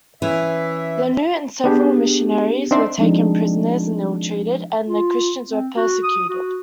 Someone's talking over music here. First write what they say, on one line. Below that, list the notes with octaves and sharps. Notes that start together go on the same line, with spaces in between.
Laneau and several missionaries were taken prisoners and ill-treated, and the Christians were persecuted.
E3 C#4 E5
B3 D4 G4 G#4
C4 D4 D#4 D5 E5 C6
F3 G#3 C4 D4 D#4
F4
C4
F#4
D#6
F#4